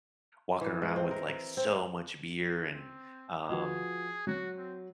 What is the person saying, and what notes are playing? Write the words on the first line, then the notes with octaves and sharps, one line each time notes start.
walking around with, like, so much beer, and, um
E3
G#3
C4
A#4
A#4
C4
C4
F3 F#4 G#4 B4
F#3 F#4
C4